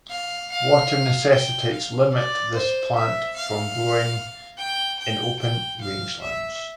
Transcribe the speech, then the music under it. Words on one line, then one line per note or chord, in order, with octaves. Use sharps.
Water necessities limit this plant from growing in open rangelands.
F5
F5
G5
F5
D5
C5
E5
F5
G5
G5
G5
F5
E5